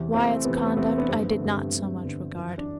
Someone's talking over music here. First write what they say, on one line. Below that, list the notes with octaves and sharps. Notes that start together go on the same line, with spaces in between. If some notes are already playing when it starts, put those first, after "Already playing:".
Wyatt's conduct I did not so much regard.
Already playing: E2 C3 E3
E2 C3 E3 A3 C4
E2 C3 E3 B3
B3
B3
E2 C3 E3 A3 C4
B3
B3 D4
G2 D3 A3 C4
B3
A3
G2 D3
G2 D3
G2 D3 B3
F#2 E3
D4